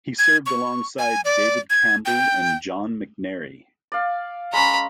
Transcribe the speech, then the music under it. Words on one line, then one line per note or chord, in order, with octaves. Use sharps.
He served alongside David Campbell and John McNairy.
G#6
C#6
G#5
D5
G#6
G5
D5 F5
G#3 C#4 A#5 B5